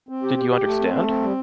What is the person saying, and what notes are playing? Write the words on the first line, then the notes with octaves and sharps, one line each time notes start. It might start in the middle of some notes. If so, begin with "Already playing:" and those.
Did you understand?
C4
G4
G4
G4
A3
C4
A3
C4
G3